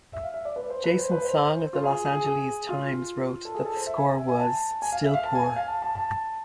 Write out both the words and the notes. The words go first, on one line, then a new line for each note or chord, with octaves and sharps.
Jason Song of the "Los Angeles Times" wrote that the score was "still poor".
E5
F5
E5
D5
B4
C5
B4
C5
B4
C5
F4
G#4
G#4
G#4
F4
A4
G#4
A4
C5
E5
G#5
G#5
E5
G#5
A5
G#5
F5
E5
F5
A5
G#5
G#5
F5
A5
A5
A5